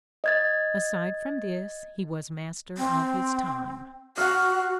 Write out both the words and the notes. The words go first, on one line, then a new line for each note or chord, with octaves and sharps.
Aside from this, he was master of his time.
D#5 G#6 A6
C4
F#4 F5 F#5